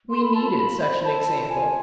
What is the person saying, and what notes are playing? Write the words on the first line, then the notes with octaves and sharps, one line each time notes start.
We needed such an example.
A4 C6
B5
F4 A5
B5
F4 B5
C5
B5
A4 A5
F4
F4 G#5